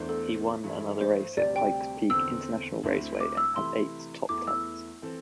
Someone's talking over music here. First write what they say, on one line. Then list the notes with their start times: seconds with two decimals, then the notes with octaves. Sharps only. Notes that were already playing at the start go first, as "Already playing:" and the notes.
He won another race at Pikes Peak International Raceway and had eight top-tens.
Already playing: E2 E3 A3 D4 C5
0.09 A4
0.64 G2 E3 A3 E4
1.01 C5
1.37 D2 C3 G3 C4 G4 D5
1.56 G5
2.10 E2 D3 C4 A4 C5 E6
2.83 D2 D3 C4 E4
3.20 D6
3.37 E6
3.56 C3 E3 A3 E4 C6
4.29 E2 E3 A3 E4 D6
4.47 E6
5.02 E3 C4 A4